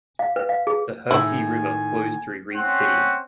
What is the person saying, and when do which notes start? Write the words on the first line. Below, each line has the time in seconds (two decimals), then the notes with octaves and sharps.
The Hersey River flows through Reed City.
0.19 F5
0.36 B4
0.49 F5
0.67 G#4
1.11 A2 D#3 E4 G#4 G#5
2.54 C4 C#4 C5 F#5